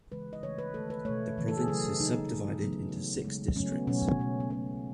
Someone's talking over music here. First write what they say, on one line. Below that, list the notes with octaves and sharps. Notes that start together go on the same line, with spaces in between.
The province is subdivided into six districts.
C#3 E3 G#3 B4
D#5
C#3 E3 A3 C#5
B4
D#3 A3 A4
B4
B2 A3 C#5
C#3 E3 A3
A4
G#4
C#3 F#3 A3 G#4
C#3 F#3 A3 D#4
D#3 G#3
C#3 F#3 A3 B3
C#3 E3 A3
C#3 G#3
C#3 F#3 A3 C#4
B3
B2 F#3 A3 C#4
B2 A3
B3
B2 F#3 A3 C#4